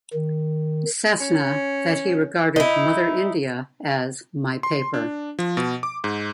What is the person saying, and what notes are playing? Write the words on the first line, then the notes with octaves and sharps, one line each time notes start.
Sethna that he regarded 'Mother India' as "my paper".
D#3
C#4
D#4 E4
C6
D4
F3
B2
D6
G#2